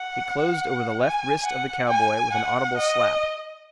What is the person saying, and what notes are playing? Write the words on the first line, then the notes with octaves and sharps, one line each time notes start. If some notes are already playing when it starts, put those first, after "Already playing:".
It closed over the left wrist of the cowboy with an audible slap.
Already playing: F#5
G#5
F#5
G#5
F#5
D#5